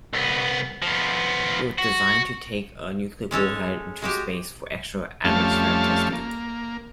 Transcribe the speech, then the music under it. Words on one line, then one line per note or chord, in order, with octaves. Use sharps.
It was designed to take a nuclear warhead into space for extra-atmospheric testing.
C2 B3
F3 B3
F#4
G#3 C#4 A4 C#5
G#3 F#4 G4
F2 G3 A3 C#4 F5 A5
A#3